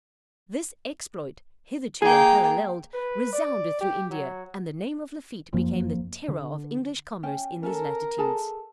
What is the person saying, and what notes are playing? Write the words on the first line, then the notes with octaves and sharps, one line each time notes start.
This exploit, hitherto unparalleled, resounded through India, and the name of Lafitte became the terror of English commerce in these latitudes.
A#3 G#4 G5
B4
D5
G4
F#3
F1 F#2 F3 A#3
D3
C#4 G5
C#4 A4 A#4
G#4 A4 A5